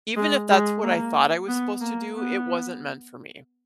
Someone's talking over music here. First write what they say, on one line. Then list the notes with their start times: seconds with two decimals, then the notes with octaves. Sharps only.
even if that's what I thought I was supposed to do, it wasn't meant for me.
0.16 G#3
0.50 G#3
0.82 A#3
1.48 B3
1.81 A#3
2.14 B3